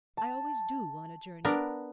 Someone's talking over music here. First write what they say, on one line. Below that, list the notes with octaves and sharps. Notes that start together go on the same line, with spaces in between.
I always do, on a journey.
A5
B3 D4 A#4